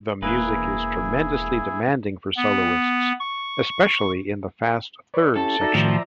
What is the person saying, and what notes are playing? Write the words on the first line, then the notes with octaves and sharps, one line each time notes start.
The music is tremendously demanding for soloists, especially in the fast third section.
E1 A#3 E4 G#4 B4
B3
C#6
B4 C#5 D5
C#4 E4 G4 A4
D#4 F#4 D5 E5 A#5
A2 D#3 F3 F#4